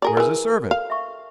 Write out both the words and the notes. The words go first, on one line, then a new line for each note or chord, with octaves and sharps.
Where's the servant?
G#4 A#4 D5
E3 G#4 A#4 B4
A4
F5
E5 C#6